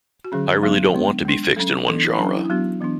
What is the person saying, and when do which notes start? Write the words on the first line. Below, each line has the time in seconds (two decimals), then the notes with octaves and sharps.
I really don't want to be fixed in one genre.
0.25 F#4
0.32 D3 F#3 C#4 G#4
0.63 F#3 B3 D4
0.94 G#3 B3 D4
1.25 G#3 D4
1.56 F#3 C#4 A4
1.87 E3 B3 D4 A4
2.03 E4
2.18 F#3 D4
2.22 C#4
2.35 E4
2.46 E4
2.50 F#3 B3 D4 F#4
2.81 E3 B3 D4